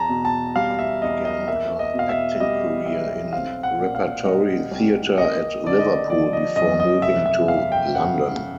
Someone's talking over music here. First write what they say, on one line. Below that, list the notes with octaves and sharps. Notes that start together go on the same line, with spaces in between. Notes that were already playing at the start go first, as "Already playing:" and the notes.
Hunt began her acting career in repertory theatre at Liverpool before moving to London.
Already playing: E2 A5 A#5
B2
A5
G3 F5
E5
E2 D#5
D#5
A#3 E5
D#5
B2
F5
E5
G3 D#5
B1 E5
C4 F5
F#5
A#2
F5
G3 D#5
C2
A#3 D#5
D3 D5
D#5
F3 D5
D#5
F#2 D#5
D#5
F1 E5
E5
E2 F5
G5
C#3 F#5